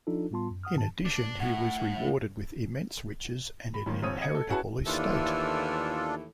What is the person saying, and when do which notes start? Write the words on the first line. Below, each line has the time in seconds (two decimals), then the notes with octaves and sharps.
In addition, he was rewarded with immense riches and an inheritable estate.
0.07 F3 D4 D#4 F4 A4
0.31 A2 G3 B3 F4 A5 C6
0.51 F#2
0.63 F#5 D#6 F6
0.75 G#2 D#3 A5
1.06 D4
1.40 A2 F#5
3.74 B5
3.86 F#2 A#2 D#3 F3
4.02 F1 C#2 C4 C#5 D#6 D#7
4.21 D#5 G#6 C#7
4.35 A4
4.49 C#4 E4 F#4 G#4 B4 A5
4.86 D#2 A2 E3 D4 F4 A4